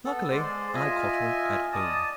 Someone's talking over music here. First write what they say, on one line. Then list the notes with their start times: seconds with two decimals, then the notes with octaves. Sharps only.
Luckily, I caught her at home.
0.05 B3 A4
0.31 G#3 C5 D5
0.74 F4 D#5 E5 G#5
1.72 D5 D#5 A5 D#6